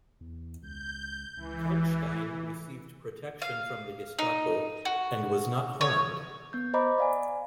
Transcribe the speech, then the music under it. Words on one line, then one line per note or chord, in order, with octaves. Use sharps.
Kalkstein received protection from the Gestapo and was not harmed.
E2
C#2 G6
C#2 E3
F5
D#4
F#4
C#5
B3 G6
C5 D#5 A#5 B5 D6
D5 F5 G#5